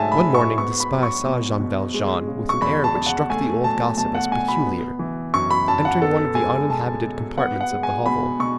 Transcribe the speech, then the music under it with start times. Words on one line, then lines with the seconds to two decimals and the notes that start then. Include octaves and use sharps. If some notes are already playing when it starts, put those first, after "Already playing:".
One morning, this spy saw Jean Valjean, with an air which struck the old gossip as peculiar, entering one of the uninhabited compartments of the hovel.
Already playing: G#2 F#3 A3 E5 G#5 A5
0.12 B5
0.24 G#2
0.34 C#6
0.58 B3 C#6
0.80 B5
0.92 F#3
1.03 C#6
1.25 B2
1.60 B2
1.94 G#3
2.28 C#3
2.49 C#6
2.62 E2 B5
2.84 A5
2.95 E2
3.06 F#5
3.30 A3 G#5
3.63 F#3 A5
3.97 B2 A5
4.15 F#5
4.32 B2 G#5
4.48 B5
4.66 B3
4.99 E3
5.34 F#2 C#6
5.51 B5
5.68 F#2 A5
5.85 F#5
6.02 B3 A4
6.35 G#3 G#5
6.70 B2 A5
7.04 B2
7.38 B3 F#5
7.61 F#5
7.71 G#3
7.83 G#5
8.06 B2 B5
8.40 B2 C#6